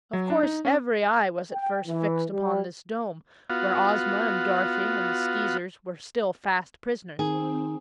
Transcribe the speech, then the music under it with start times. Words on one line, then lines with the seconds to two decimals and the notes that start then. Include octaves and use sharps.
Of course every eye was at first fixed upon this dome, where Ozma and Dorothy and the Skeezers were still fast prisoners.
0.13 F#3
0.30 D4
0.43 D#4
0.65 C#4
1.53 G5
1.87 E3
2.32 G3
3.50 B3 F4 F#4
7.19 D#3 C4 D#4 G#4